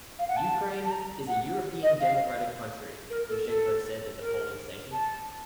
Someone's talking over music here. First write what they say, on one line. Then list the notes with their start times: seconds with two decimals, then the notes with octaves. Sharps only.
"Ukraine is a European democratic country", Yushchenko said at the polling station.
0.19 F5
0.28 F#5
0.36 A5
0.84 A5
0.90 A#5
1.27 F#5
1.83 D#5
2.00 F5
3.10 A#4
3.28 A4
3.47 A4
4.20 A#4
4.92 A5